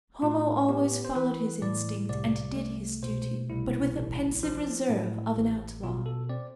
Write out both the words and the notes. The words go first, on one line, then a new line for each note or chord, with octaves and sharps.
Homo always followed his instinct and did his duty, but with the pensive reserve of an outlaw.
A2 F4
B3 G4
C5
E3 B4
A2 D5
C2 D5
A3
B2 C5
C2 E4
A1
F3
A2
A1
B2 F4
A4
C4 D5